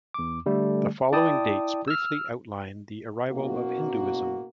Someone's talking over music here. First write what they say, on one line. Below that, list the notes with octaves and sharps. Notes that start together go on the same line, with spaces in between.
The following dates briefly outline the arrival of Hinduism.
E2 D6
D3 G3 A3
E4 D5 G5 A5 D#6
E6 F6
F#1 B2 A#3 F#4